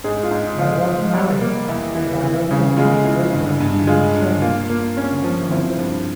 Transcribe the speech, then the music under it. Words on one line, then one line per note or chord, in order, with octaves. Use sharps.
I want Mario, but I don’t want my programs being changed, not one bit!
G#2 G#4
F4
G#2
F3 F4
F3
G3
A#3
E2 E4
E3
E3
C#3
G#3 F4
E3
G2
G2
G#3 F4
G2
A#3 F4
A#3
C#4
F3
C4 E4
G2